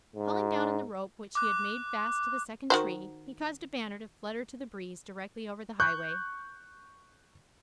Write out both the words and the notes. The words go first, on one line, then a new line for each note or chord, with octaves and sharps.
Hauling down on the rope which he had made fast to the second tree, he caused a banner to flutter to the breeze directly over the highway.
G#2
D6 F#6
D#3 F#4 C5
C#6 F#6 G6